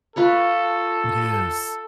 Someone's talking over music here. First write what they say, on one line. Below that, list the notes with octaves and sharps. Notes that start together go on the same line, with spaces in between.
It is.
F4 A4 B4 C#5